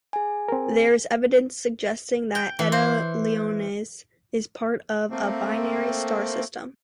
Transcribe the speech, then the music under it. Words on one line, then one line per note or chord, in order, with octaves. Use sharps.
There is evidence suggesting that Eta Leonis is part of a binary star system.
G#4 G#5
C4 A#4
G5
E3
C5
A3 A#3 C4